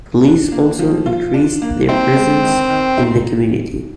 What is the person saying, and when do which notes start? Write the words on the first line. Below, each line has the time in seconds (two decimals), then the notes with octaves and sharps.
Police also increased their presence in the community.
0.24 D4
0.52 A#3
0.79 F3
1.06 F4
1.34 D4
1.62 A#3
1.89 C4 D#4
2.16 G#3
2.43 D#3
2.70 D#3
2.97 D#4